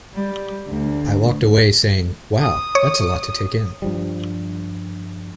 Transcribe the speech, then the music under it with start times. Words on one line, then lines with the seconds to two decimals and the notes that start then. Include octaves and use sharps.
I walked away saying, 'Wow, that's a lot to take in.
0.15 G3
0.68 D2
2.40 D#6
2.75 C#5
3.82 G2 F3 G3